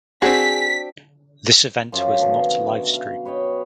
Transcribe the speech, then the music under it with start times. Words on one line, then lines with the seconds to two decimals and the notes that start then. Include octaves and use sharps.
This event was not livestreamed.
0.22 C4 D4 F#4 G#4 B6
1.92 F#2 F3 F4
2.19 B2 D3 D#3 F3
2.69 E5
2.94 F5
3.25 B4 C#5 D#5 G5